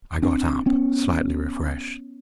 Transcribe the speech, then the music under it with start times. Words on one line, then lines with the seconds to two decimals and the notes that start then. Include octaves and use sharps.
I got up, slightly refreshed.
0.22 C4 D4
0.66 B3 C#4